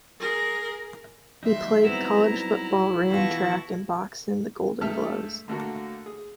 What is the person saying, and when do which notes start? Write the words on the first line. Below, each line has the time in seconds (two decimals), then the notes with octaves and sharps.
He played college football, ran track and boxed in the Golden Gloves.
0.20 G#4 A#4
1.43 D#2 F#3 G3 D#4 E5 C6
1.84 B3 C4 E4 A#5
3.11 E3 B3 F4 G4 A5 C#6 A#6
4.81 G2 G#3 A3 E5 A5 F6
5.48 D3 A3 A#3 F#4
6.06 G#4